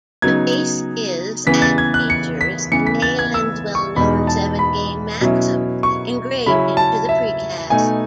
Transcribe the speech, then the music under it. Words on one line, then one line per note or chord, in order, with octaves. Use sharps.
The base is and features Neyland's well-known seven Game Maxims engraved into the precast.
C#3 F#3 B3 D#4 G#6
C#3 E3 B3 B6
A6
G#6
F#6
C#7
B6
C#3 E3 B3 C#7
B6
A6
G#6
E6
C#6
E2 B2 G#3 D#4 B5
A5
B5
B2 F#3 C#4 E4
C#6
C#3 F#3 C#4 E4 B5
A5
E5
B2 A3 D#4 G#5